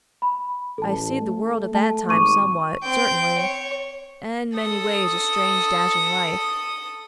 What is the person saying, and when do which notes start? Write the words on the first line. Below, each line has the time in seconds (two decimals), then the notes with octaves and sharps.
I seed the world at that time somewhat, certainly, and many ways of strange dashing life.
0.22 B5
0.78 A1 A4 A5
1.22 A3
1.75 A3 A5
2.09 G#1 C#6 D6 D#7
2.83 C4 G5
3.39 C#5
4.57 A4 D#6